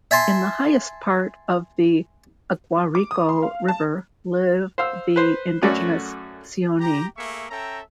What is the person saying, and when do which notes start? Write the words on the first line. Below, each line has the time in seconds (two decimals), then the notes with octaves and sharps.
In the highest part of the Aguarico River live the indigenous Sioni.
0.11 E5 G#5 A5 C6
2.95 D6
3.11 D#6
3.29 C6
3.42 F5
3.68 A5
4.78 C5 F5 E6
5.16 B4 C5
5.62 F#2 A3 C#4 F#4 A4 D5
6.80 G4 A#5
7.16 A3 A#3 G#4 E5 C#6
7.50 C#4 A4 E5 G5 A#5